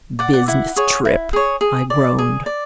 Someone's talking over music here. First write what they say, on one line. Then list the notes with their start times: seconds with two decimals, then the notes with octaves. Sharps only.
"Business trip!" I groaned.
0.19 D5 F#5
0.33 F#5
0.48 E4 F#5
0.76 G#4 C#5
1.05 E4
1.33 G#4 C#5
1.61 G#4
1.90 D5
2.18 G#4
2.46 D5